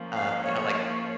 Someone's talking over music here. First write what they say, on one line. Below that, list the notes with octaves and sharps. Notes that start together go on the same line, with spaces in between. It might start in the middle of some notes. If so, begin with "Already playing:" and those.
uh, you know, like
Already playing: F3 A#3 C#4
F5
C#5
C#5